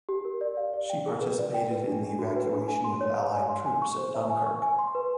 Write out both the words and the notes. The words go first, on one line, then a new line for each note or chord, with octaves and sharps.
She participated in the evacuation of Allied troops at Dunkirk.
G4
A#4
D5
F5
D5
G5
G#4
B4
D5
G5
B4
D4
D4
F#4
B4
D4
G#5
C6
C#5
F5
G#5
C6
G#5
C#6
C5
E5
G#5
C#6
G#5
C6
B4